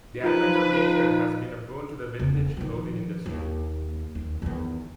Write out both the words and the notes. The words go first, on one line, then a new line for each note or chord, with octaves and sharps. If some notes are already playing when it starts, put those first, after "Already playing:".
The advent of the internet has been a boon to the vintage clothing industry.
F3 D#4 F4 G4 A#4 B4
E1 C#3
D#3 F3
D#2
D#2
E2 D#3